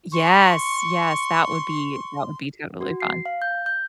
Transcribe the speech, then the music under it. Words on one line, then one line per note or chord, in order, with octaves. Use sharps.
Yes, yes, that would be that would be totally fun.
C6 C#6
F#4
C7
F5
G6
G6